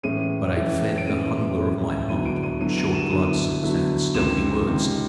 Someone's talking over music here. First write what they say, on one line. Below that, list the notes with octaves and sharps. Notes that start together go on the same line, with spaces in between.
But I fed the hunger of my heart on short glances and stealthy words.
A2 E3 G#3 C#4 D#7
A2 E3 G#3 C#4
D7
A2 E3 G#3 C#4 D#7
A2 E3 G#3 C#4
D3 F#3 B3 E4 D#7
D7
D#7
D3 F#3 B3 E4 D#7
D7
D#7
E7
D3 F#3 B3 E4 D#7
D3 F#3 B3 E4
C#2 C3 D#3 E7
C#2 C3 D#3